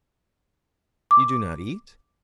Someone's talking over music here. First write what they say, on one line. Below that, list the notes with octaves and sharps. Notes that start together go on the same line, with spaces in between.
You do not eat?
D6